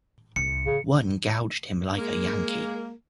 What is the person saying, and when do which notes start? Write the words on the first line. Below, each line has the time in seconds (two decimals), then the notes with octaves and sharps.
One gouged him like a Yankee.
0.36 C2 C#7
0.66 C#3
1.98 G#3 A#3